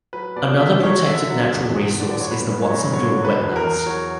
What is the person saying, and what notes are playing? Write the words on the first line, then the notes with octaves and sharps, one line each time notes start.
Another protected natural resource is the Watsonville wetlands.
F#3 B4
B2 D5
B2 E5
F#3 C#5
D3 E5
F#3
E2
E2
D3 D5
D5
F#3 C#5
B4
G2
C#5
G2
D3 C#5
F#3
B4
E2
A#4
E2
F#3 C#5